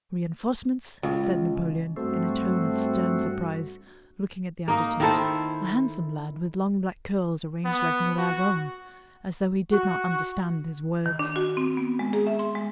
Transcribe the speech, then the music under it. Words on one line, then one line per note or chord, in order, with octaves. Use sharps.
"Reinforcements?" said Napoleon in a tone of stern surprise, looking at the adjutant--a handsome lad with long black curls arranged like Murat's own--as though he did not understand his words.
C#2
G2 A3 C4 F#4
A#3 D#4
D#3 E4 A4 C5
B3
F#4
F#4
D#3
D4
F#4
C4
B3
G#3
G#4
E5
C6
G#3